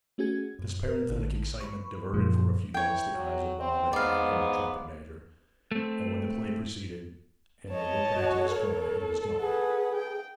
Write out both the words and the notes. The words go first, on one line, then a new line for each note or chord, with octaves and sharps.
This parenthetic excitement diverted for a few minutes the eyes of Bob and Anne from the trumpet-major; and when the play proceeded, and they looked back to his corner, he was gone.
A3 C#4 F#4 G#4 G#6
F#2
A#4
A1 D3
B5 C#6
F#2 A#2 F3 A#3
E3 C#5 G5
F#3
C4
G#2 B3 D5 F5
A3 C4
C#5 D#5 A5
F#4
A4 A#4
G#4 B4 F#5
G5